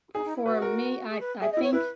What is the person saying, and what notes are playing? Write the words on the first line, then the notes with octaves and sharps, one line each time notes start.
for me, I I think
D#4 G#4
D#4
E4
F#4 B4
A#4
G#4
B4
G#4 E5
E4 D#5
C#5
E4 B4